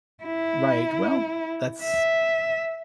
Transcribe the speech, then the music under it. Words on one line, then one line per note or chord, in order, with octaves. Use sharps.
Right. Well, that's
E4
E5